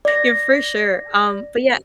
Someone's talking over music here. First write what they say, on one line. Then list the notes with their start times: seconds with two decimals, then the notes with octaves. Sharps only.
Yeah, for sure, um, but, yeah,
0.05 D5 A#6